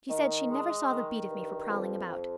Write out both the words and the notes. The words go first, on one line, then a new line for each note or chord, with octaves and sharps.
She said she never saw the beat of me for prowling about.
D#3
G#3
D#3
G2
F2
F2